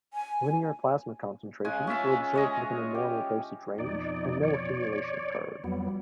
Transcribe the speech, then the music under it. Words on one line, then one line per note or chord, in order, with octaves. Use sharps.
Linear plasma concentrations were observed within a normal dosage range and no accumulation occurred.
G#5
C#3 G#3 G#5
C#4 F4 E5 F5
G#3 C#5 D#5
G4
F2 B2 D#4 D5
C#5 D5
F2 F#3 G3 B3